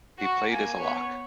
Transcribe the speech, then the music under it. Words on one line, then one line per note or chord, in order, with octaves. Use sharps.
He played as a lock.
F#4 C#6
A#3 G#5
B3 C#5